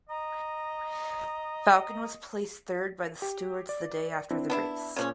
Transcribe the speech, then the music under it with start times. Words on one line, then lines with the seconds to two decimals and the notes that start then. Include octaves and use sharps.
Falcon was placed third by the stewards the day after the race.
0.09 D#5 A#5
3.22 G4
3.69 D5
4.31 C4 D4 E4
4.50 B3 D4 E4 E5 A5
4.96 A#2 C#3 F3 C#4 C#5